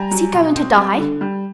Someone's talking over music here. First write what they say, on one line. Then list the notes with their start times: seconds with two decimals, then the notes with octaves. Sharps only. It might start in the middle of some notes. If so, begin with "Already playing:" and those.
"Is he going to die?"
Already playing: G3 G#5 A#5
0.11 F#3
0.34 B2
0.55 C4
0.77 G3
0.98 D3
1.21 G3